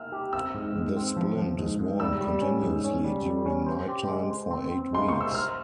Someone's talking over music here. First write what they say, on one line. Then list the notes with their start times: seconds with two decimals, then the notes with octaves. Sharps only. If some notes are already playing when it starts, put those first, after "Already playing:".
The splint is worn continuously during nighttime for eight weeks.
Already playing: E6 F6
0.12 G4
0.33 C4 E6
0.55 G#2
0.76 G#2
0.96 C4
1.16 F3
1.37 F3
1.59 G#2
1.79 G#2
2.00 G3 E6
2.21 G3
2.41 C#4
2.62 G#2
2.84 C#4
3.04 G3
3.26 G3
3.46 C#4
3.66 C5
3.88 G4
4.08 G#3
4.30 C5
4.50 C4
4.71 C4
4.93 G#3 C6
5.08 C5 C#6
5.21 E6
5.34 C5 F6